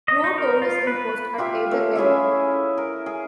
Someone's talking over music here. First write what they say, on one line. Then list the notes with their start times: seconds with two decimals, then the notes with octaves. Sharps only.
No toll is imposed at either end.
0.08 D#5
0.24 D#4
0.38 A#4
0.62 F4
0.87 B4
1.38 F4 G4 E5
1.71 A3 C#4
1.96 C#4 E4 G#4 E5
2.78 A#4
3.06 G#4